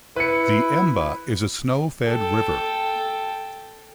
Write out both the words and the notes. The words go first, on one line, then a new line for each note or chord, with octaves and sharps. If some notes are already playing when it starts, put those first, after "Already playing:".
The Emba is a snow-fed river.
E4 B4 C#7
A4 G5